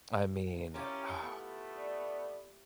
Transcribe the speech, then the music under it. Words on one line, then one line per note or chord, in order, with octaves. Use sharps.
I mean, uh
C#4 E4 F4 G4 A#4
A3 B3
D5